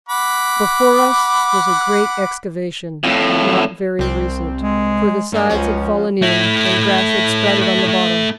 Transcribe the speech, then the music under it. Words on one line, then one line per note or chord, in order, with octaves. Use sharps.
Before us was a great excavation, not very recent, for the sides had fallen in and grass had sprouted on the bottom.
F#5 B5 D6
F2 A2
C2 C4
G#3
G2 G3 A#3
C#2 F3 C#4 F#4
A3 E4